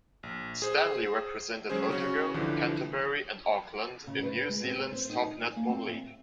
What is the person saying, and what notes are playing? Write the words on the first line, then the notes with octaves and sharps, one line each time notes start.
Stanley represented Otago, Canterbury and Auckland in New Zealand's top netball league.
A#1
G#4 C5
F#3 G#3 C#4 G#4 C5
C#3 C#4 F#4
C2 D3 E3 F3
C#3
B4
G#3
C4
C5
D#4
G#5
A#3
C4
E5